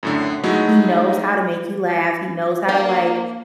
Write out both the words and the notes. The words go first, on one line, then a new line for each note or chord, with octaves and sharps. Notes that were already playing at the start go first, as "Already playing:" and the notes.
he knows how to make you laugh, he knows how to, like,
F#2 A2 D3
F#3 G#3 A3 D#4 E4 F#4
A#3 D4 F5 G5